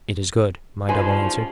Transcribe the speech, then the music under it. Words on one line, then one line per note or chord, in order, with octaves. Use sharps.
"It is good," my double answered.
G2 F3 C#4 D#4 G#4 B4 C5